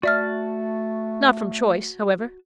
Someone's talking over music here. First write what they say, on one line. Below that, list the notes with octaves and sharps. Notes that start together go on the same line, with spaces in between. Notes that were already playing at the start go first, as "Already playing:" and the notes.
Not from choice, however.
A3 F#4 D5 E5 A5 F6